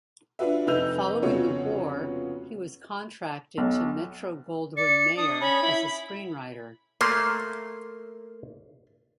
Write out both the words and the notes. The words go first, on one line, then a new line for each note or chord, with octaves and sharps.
Following the war he was contracted to Metro-Goldwyn-Mayer as a screenwriter.
D4 F4 F#4 B4 E5
F1 D#4 B4 E6 G6 F7
F1 C#3 B3 F4 F#4 C#5
B1
D5 C#7
D4 D#6
C#4 B5
E4
A3 A#3 C6